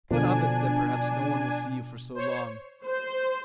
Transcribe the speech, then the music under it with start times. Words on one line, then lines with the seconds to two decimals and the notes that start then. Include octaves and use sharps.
What of it that perhaps no one will see you for so long?
0.11 B2 D3 F3 D4 G#5
2.15 C5 C#5
2.85 C5